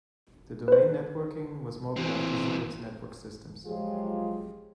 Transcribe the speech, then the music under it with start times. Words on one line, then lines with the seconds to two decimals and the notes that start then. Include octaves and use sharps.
The Domain networking was modeled after Xerox Network Systems.
0.68 B4 C5
1.96 E3 C4
3.66 F3 F#3 G#3 F4 G4 G#4